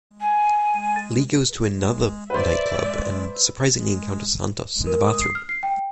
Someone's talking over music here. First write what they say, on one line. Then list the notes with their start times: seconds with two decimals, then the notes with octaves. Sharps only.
Lee goes to another nightclub and surprisingly encounters Santos in the bathroom.
0.21 G#5
2.30 B4 C5 D5 E5
4.87 A#4
5.07 D#6
5.22 C7
5.35 F6
5.49 C7
5.63 G5